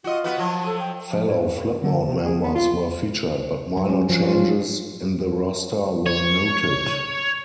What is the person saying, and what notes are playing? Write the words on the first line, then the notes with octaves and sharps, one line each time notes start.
Fellow Flipmode members were featured, but minor changes in the roster were noted.
F4 F#4 D#5
B3 F#4 B4
F3 F#3
A5
A4
G5
F3
A2
G2
D3
C3
G#4
B3
F4
F#3
C#4
F3
F4
F#3
C#5